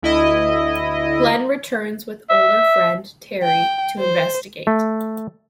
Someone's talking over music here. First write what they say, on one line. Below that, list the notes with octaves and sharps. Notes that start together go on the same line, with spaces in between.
Glen returns with older friend Terry to investigate.
D2 E4 D#5
E5
G5
C5
A3